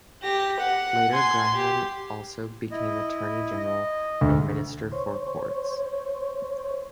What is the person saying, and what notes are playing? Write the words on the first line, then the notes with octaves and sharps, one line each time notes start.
Later, Graham also became Attorney General and Minister for Courts.
G4 A#6
F#5
G#5 C6
G4
E4 D#5
D#5
D2
C5 C#5